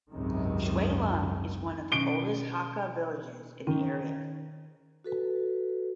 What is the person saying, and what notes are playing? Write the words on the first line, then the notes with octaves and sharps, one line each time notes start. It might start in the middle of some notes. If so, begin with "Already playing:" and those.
Chuen Lung is one of the oldest Hakka villages in the area.
G#1 C#2 F#2 C3 D#3
B2 D#3 C#4 D7 G7
D#3 C#4
F#4 A4 B4